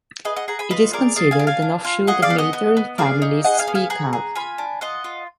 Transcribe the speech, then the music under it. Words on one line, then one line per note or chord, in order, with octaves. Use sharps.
It is considered an offshoot of Military Families Speak Out.
G#4 B4 D#5
D#5 F#5
G#4 F#5 A#5
G#5 B5
F4 B4 D#5
G#4 A#4 D5
G#4 D5 F5
F5 G#5
D4
F5 G#5
D4
F4
G#4 D#5 F#5
D5 F5
B3
D#5 F#5
B3
B3
G#4 D5 F5
D#4
G#4 D#5 F#5
F5 G#5
B3
F5 G#5
G#4 F#5 A#5
G#4
F4 G#5 B5
D4
F4 D#5 F#5
F4